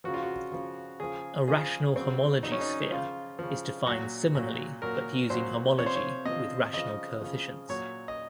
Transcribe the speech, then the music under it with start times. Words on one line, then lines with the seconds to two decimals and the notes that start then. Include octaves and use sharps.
A rational homology sphere is defined similarly but using homology with rational coefficients.
0.04 C#3 F3 F#4
0.14 F4
0.23 F#4
0.52 C#3 F3
1.00 C#3 F3 G#4
1.48 C#3 F3 G#4
1.96 C#3 F#3 C4
2.43 C#3 F#3 D#4
2.52 C#4
2.61 D#4
2.91 C#3 F3 F4
3.39 C#3 F3
3.86 A#2 F#3 F#4
4.35 A#2 F#3
4.82 A#2 F#3 A#4
5.30 A#2 F#3 C5
5.78 C3 F3 C#5
5.86 C5
5.96 C#5
6.25 C3 F3 D#5
6.73 C#3 F3 D#5
7.21 C#3 F3
7.69 A#2 F#3 C#5
8.08 D#5